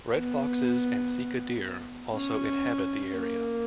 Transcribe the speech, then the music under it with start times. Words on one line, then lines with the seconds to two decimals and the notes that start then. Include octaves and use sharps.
Red foxes and sika deer also inhabit the area.
0.15 B3
2.14 C#4
3.13 A#3